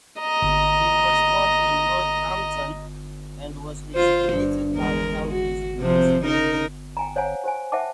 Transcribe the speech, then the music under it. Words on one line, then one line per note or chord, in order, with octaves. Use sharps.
He was born in Northampton, and was educated at Cambridge University.
D#5 A#5
F4 C5
G2
E2 G#3 A#4
F#4
C3 F3 C4
C#3 D#4 A#4
G5 G#5 A#5
C5 C#5 F5 F#5 G#5 A#5
G4 C5 G#5
C5 E5 F#5 G5 A5 D6